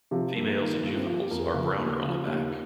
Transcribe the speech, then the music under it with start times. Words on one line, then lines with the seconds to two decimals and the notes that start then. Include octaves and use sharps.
Females and juveniles are browner on the back.
0.11 C3 F3
0.35 G2 A#3
0.59 D#3
0.83 G2 A#3
0.95 C4
1.06 F3 F4
1.19 G4
1.31 F2 A#4
1.39 G#4
1.46 A#4
1.54 C#3 F3
1.79 D#2
2.03 C#3 F3
2.27 D#2